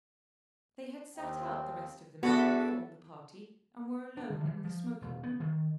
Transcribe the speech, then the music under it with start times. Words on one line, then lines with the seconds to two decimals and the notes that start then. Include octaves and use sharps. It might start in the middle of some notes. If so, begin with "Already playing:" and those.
They had sat out the rest of the men who formed the party and were alone in the smoking-room.
1.16 D#2 C4
2.23 E2 B3 D4 F#4 A4 B4
4.17 D4
4.30 D3
4.45 E3
4.64 F3
5.01 E1
5.23 B3
5.40 D#3